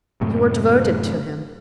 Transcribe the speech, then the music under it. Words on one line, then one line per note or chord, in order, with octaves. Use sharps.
"You are devoted to him."
F#2 A2 C3